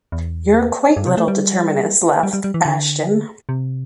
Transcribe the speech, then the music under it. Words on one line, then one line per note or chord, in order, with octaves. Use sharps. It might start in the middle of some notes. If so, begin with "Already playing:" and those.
"You're a quaint little determinist," laughed Ashton.
E2
G2
C3
A3
G3
G3
G3
G3
E3
D3
C3